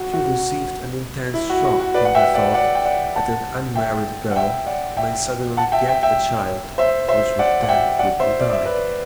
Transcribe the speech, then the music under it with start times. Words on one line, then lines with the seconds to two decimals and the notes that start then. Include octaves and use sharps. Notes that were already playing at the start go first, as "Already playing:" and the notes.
She received an intense shock in the thought that an unmarried girl may suddenly get a child which would then quickly die.
Already playing: F#4
0.13 F#4
1.34 E4
1.50 F#4
1.65 F#4
1.80 F#4
1.94 B4 D5
2.05 F#5
2.15 E5 G5
2.34 D5 F#5
2.54 D5 F#5
2.75 G5
2.85 D5 F#5
3.16 F#5 A5
3.75 E5 G5
4.31 F#5
4.36 E5 G5
4.66 D5 F#5
4.97 E5 G5
5.57 F#5 A5
5.72 E5 G5
5.87 E5 G5
6.03 E5 G5
6.78 C5 E5
7.08 C5 E5
7.39 D5 F#5
7.63 F#5
7.69 E5 G5
7.99 D5 F#5
8.19 C5 E5
8.40 D5
8.52 E5
8.65 B4 D5